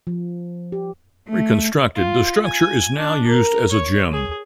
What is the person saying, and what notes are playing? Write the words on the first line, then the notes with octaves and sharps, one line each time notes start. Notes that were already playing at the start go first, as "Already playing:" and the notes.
Reconstructed, the structure is now used as a gym.
F3
G4
A3
F4
G#5
D4
A#4
C#5
G#4